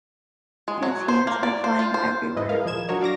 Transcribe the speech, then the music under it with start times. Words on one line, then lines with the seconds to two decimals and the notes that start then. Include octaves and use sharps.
His hands are flying everywhere.
0.68 G#3
0.83 F#3
1.08 C5
1.27 A#3
1.43 D5
1.64 C5
1.79 F4
1.94 C5
2.36 G#2 E4 B4 D#5
2.49 G#4 A#4 F5
2.64 D#2 A#2 F3 D#5 G#6 E7
2.88 F#3 D4 F#4 A#4 C#5 D#5
3.01 D5 F5 D6 A#6